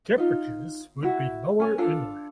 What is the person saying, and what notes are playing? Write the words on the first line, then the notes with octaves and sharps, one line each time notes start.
Temperatures would be lower inland.
D#4 F4
E4 F#4
C#4 G#5
D4 F4 A4